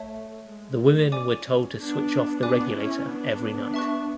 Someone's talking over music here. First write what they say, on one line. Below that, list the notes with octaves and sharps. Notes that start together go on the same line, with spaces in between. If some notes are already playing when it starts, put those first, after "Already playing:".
The women were told to switch off the regulator every night.
Already playing: A3 C#5 E5 A5
G#3
A3
C#4 D5 G#5 D6
B3 D4
B3 D4 D5 G#5 D6 F#6
C#4 E4
B3 D4
E5 A5 C#6 F#6